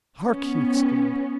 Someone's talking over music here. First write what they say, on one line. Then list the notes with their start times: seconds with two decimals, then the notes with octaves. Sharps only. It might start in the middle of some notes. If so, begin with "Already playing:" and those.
"Hark!" he exclaimed.
0.24 B3 C#4